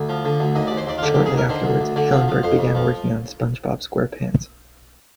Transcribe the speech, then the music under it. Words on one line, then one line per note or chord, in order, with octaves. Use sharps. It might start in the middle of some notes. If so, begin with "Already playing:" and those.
Shortly afterwards, Hillenburg began working on "SpongeBob SquarePants".
Already playing: D2
F3
D3
D2
D#2 D#5
D#2 D5
C5
D#2 D5
F4
D3 G4
G4
D#2
G#4
D#2 A#4
D3 C5
D2
D2
D3 D5
F3
F3
F2 C5
F2
F3